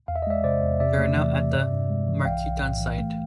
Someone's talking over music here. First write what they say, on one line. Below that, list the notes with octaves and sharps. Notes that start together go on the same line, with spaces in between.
They are now at the Markeaton site.
E2 F5
E5
D#5
G#3 D5 E5
C3 C5 D5
E2
C3 D5 E5
A3
E3
C3
G2
G2
G#3
E3
B1 F5 G5
B1
A2
E3
A3